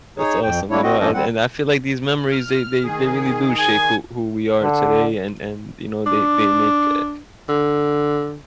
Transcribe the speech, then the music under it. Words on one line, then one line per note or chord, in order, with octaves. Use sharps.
that's awesome, you know? And and I feel, like, these memories, they they they really do shape who who we are today and and you know they they make eh
D#4 G#4 C#5
F2 G5
G3 A#3 D4 E4 C#5
C4 F#4 D#5
G2 F3 A#3 C#4 A4 D#5
G3 C4 F#5
F6
D#3 G#4
G#5
D3
D4
D3